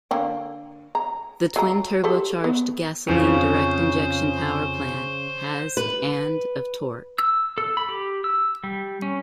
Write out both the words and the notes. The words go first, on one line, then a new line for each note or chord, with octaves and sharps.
The twin-turbocharged, gasoline direct injection power plant has and of torque.
D3 A#3 G5
A#5
F#3 A#5
G4 A4 C5
B3
F2 C#3 F3 C5
B4
E6
A4
B5
G4
E6
G3
C#4